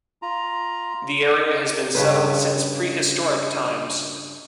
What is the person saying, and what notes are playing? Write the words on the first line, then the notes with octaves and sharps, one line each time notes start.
The area has been settled since prehistoric times.
F4 A#5
G2 C#3 B4